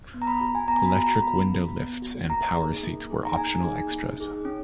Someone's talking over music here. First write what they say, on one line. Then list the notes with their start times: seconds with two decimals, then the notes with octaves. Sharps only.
Electric window-lifts and power seats were optional extras.
0.14 B3
0.22 A#5
0.27 B5
0.41 F#4 A#5
0.55 G#5
0.68 B3 A#5
0.86 B5
0.95 F#4
1.03 A#5
1.22 B3 B5
1.49 F#4
1.76 B3
2.02 F#4
2.29 A#3 A#5
2.57 D#4 G#4
2.83 A#3
3.10 D#4 G#4
3.25 A#5
3.37 A#3 G#5
3.64 D#4 G#4
3.91 A#3
4.18 D#4 G#4
4.45 C#4